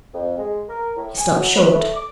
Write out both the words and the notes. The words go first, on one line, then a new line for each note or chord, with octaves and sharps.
He stopped short.
F2
G#3
A#4
A2
G#5
F#3
B4
A3
D6